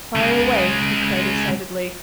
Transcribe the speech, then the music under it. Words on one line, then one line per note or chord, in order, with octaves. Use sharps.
"Fire away!" he cried excitedly.
C#3 G#3